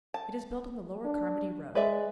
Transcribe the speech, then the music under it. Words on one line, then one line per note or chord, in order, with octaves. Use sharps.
It is built on the lower Carmody road.
A5
D4
G#3 B4 D5 E5